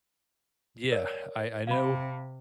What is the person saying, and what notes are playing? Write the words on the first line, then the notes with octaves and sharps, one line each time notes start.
Yeah, I I know
A#4 C#5 D5
C3 F5 B5